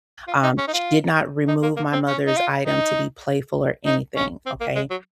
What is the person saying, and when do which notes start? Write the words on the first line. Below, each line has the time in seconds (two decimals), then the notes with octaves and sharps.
Um, she did not remove my mother's item to be playful or anything, okay?
0.28 F4
0.43 D#4
0.58 C#4
0.68 D#4
0.73 F4
1.48 D#4
1.62 A#3
1.77 A#3
1.93 C4
2.07 C#4
2.27 D#4
2.37 F4
2.66 D#4
3.86 D#4
4.16 C#4
4.46 C4
4.61 A#3
4.75 G#3
4.90 F#3